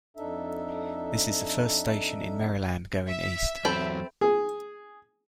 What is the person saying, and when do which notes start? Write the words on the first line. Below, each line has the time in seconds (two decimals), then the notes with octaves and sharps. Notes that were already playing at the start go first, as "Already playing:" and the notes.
This is the first station in Maryland going east.
0.17 F2 D4 D#4 A4 E5
3.08 E5
3.65 E2 F#3 C4 A4 B5 G6
4.21 G#4